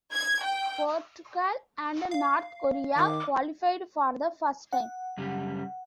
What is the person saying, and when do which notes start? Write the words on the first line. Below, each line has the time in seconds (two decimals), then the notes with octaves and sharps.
Portugal and North Korea qualified for the first time.
0.14 G#6
0.44 G5
2.11 F5
2.97 D#3 D6
4.73 F#5
5.17 F#2 C#3 G3